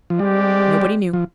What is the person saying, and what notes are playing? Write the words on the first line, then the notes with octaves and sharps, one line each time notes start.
Nobody knew.
F3
G3 G#3 C4 G4 D5
F3